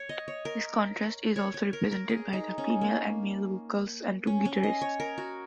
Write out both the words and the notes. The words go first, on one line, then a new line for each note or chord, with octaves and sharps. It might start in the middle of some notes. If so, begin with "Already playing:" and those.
This contrast is also represented by the female and male vocals and two guitarists.
Already playing: C#5
D#5
C#5
A#4
C#5
C#5
A#4
A#4
G#4
D#4
C#4
A#3
C#4
C#4
D#5
C#5
A#4
F#4